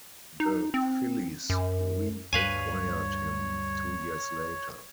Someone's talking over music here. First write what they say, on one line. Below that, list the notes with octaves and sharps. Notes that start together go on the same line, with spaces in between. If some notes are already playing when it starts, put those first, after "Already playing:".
The Phillies reacquired him two years later.
D#4
C4
F#2
D2 G2 G3 B4 C#5 F5 G#5